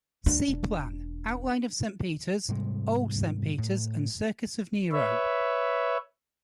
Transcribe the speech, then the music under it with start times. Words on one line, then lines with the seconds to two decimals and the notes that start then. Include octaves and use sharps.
See plan: "Outline of Saint Peter's, Old Saint Peter's, and Circus of Nero".
0.26 D2 D4
0.48 E1
2.48 G#2 C3 G3 G#3
3.58 A2
4.92 B4 C#5 E5